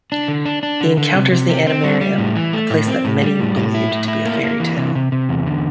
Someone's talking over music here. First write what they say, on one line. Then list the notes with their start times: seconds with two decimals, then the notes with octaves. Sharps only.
He encounters the Animarium, a place that many believed to be a fairy tale.
0.12 D4
0.28 D3
0.46 D4
0.63 D4
0.81 D3
0.97 D3
1.15 C3
1.32 C3
1.49 C4
1.67 C4
1.84 G3
2.01 G3
2.18 A2
2.36 E3
2.53 A3
2.70 A2
2.87 C4
3.05 A2
3.22 G3
3.40 A2
3.56 A2
3.75 E4
3.91 A2
4.08 E4
4.25 A#3
4.43 A#3
4.60 E3
4.77 C3
4.95 C3
5.12 C3
5.29 E2
5.46 D3